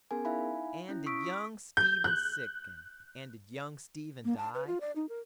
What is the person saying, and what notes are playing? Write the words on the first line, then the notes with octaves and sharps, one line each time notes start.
And did young Stephen sicken, And did young Stephen die?
B3 C#4 G#4 A#4 G#5
D#4 E4 E5 F5 G#5 B5
C#4 E4
C#6 D#6 E6 B6 D7
G6
F#6
A#3
A5
B4
F4
D5
D#4
A#4